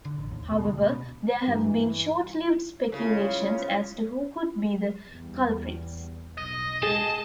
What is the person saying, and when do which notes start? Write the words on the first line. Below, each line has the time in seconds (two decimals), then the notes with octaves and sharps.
However, there have been short-lived speculations as to who could be the culprits.
0.05 D3
0.18 A1
0.31 D#2
0.52 B2
0.65 D2
0.82 B2
1.48 G2 E3
2.92 C#3 C#4 E4 F4
5.09 E2 G3
6.38 B1 D#5
6.83 G#3 G#4 A5